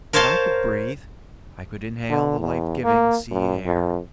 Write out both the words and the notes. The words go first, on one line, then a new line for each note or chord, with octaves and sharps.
But I could breathe, I could inhale the life-giving sea air.
A#4 C5 C#5 F5 A5 C6
D3
E2
A#3
F#2
F2